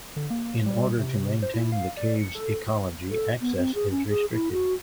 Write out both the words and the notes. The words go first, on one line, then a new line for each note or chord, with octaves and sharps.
In order to maintain the cave's ecology, access is restricted.
D3
A#3
G3
C3
C5
E4
F5
D5
C#7
A4
A4
B3
C4
G#4
C#4
G#4
E4
F#4